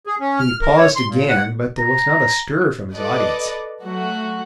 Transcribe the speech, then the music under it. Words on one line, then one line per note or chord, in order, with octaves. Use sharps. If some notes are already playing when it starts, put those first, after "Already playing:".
He paused again, but there was not a stir from his audience.
G#4
C#4
F6
A#4
C#5
C6
A#2
F#5
A#5
A4 B4 D5 D#5
F#3 A3 F#4